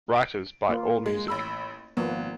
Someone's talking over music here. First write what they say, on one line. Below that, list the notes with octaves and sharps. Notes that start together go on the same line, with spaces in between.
Writers by Allmusic.
D7
A#3 F4
G#3
A1 B5 E6
G#1 F3 A#3 B3